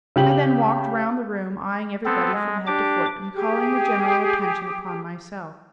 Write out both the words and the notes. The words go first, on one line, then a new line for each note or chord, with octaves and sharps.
I then walked round the room, eyeing everybody from head to foot, and calling the general attention upon myself.
C#3 G4 F#7
B3 C4 A4
G#3
D4 G4 D6
G4 G#4